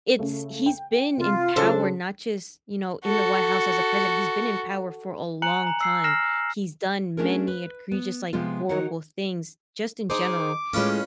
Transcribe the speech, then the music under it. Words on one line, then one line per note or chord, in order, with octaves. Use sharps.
it's he's been in power not just, you know, in the White House as a president. He's been in power for a long time. He's done many egregious, like, horrible things, just in general.
C#3 A3
G5
C3 F4
C#3 F#3 D4 A4 C5
F#4 A4
G#5 A#5 F#6 C#7 F#7
A#5
E6 C7
F6 A#6 C7 E7
A3 C#4 D4 G#4 A#4
B4
B3
C3 F3 G#3 B3 F4
D#3 D#4 F#4 A#4 C#5 F#5
D#4 G#4 C5 D6
A2 G#3 C#4 F4 B4